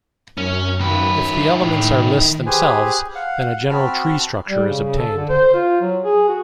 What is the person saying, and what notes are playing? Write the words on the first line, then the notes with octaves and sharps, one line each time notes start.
If the elements are lists themselves, then a general tree structure is obtained.
F#2 C#4
D#3 B4
A2
G4 G#4 B4 C5 G#5
F5 F#5
C4 F#4 A5 B5 F6
G3
C#3
C#3
A4
D3
C5
F4
F#3
G#4
F#4